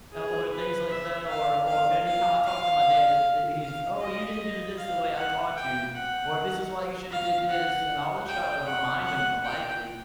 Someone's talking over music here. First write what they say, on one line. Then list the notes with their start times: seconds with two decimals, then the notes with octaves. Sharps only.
Uh, or things like that, or or anytime I talk to my dad it it he's, "Oh, you didn't do 'this' the way I taught you," or "This is why you shoulda did 'this'." And I always try to remind him politely,
0.11 G#4
0.51 B4
0.89 E5
1.27 F5
1.66 F5
2.06 F5
2.44 F5
3.60 F5
4.00 D#5
4.77 F5
5.17 F#5
5.56 G5
5.95 F#5
7.11 F5
7.49 F#5
8.27 G5
8.65 F#5
9.05 F#5
9.43 G5